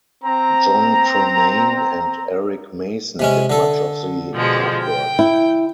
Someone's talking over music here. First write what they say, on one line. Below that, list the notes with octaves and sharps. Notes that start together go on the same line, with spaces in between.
Jon Tremaine and Eric Mason did much of the artwork.
C4 A#5
C3 G#3 C#4
D3 A4
B2 F3 G#3
G5
E4